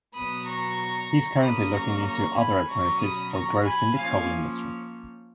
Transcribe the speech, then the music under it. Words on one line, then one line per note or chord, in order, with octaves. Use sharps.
He is currently looking into other alternatives for growth in the coal industry.
B2 F#3 B3 B5 D#6
A#5 C#6
C#3 F#3 A#3 B5 D#6
A#5 C#6
A#5 C#6
G#5 B5
B2 F#3 C#4 A#5 C#6
B5 D#6
A#5 C#6
G#5 B5
F3 A#3 C#4 F5 G#5